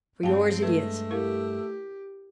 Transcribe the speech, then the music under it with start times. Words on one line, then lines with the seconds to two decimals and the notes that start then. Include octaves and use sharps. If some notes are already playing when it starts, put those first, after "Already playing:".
For yours it is.
0.23 G2 G#3 C4 F5 G5 A5
0.62 G#3 A3 B4
1.11 E4 G4 A#4 F5